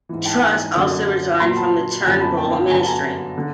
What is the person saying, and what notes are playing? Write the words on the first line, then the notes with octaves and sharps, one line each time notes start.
Truss also resigned from the Turnbull Ministry.
G#2 E3
G5 A5
G#5 A#5
F#2 D3 F#3
A#2 F#3 A#5 C6
A5 B5
F#2 D3 F3 G#5 A#5
A5 B5
G5 A5
F5 G5
G2 D3 F#3 G#5 A#5
A5
G#5 A#5
D3